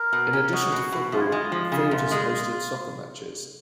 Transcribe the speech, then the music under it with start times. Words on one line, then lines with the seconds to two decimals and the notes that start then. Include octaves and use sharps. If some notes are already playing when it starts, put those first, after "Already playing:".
In addition to football, the field has hosted soccer matches.
Already playing: A#4
0.13 B2
0.33 C#4
0.53 G#3 F#4
0.72 B2
0.92 B2
1.12 F#2 F4
1.20 E4
1.29 G#3 F4
1.52 F3
1.72 C#3
1.91 F#2
2.11 G#3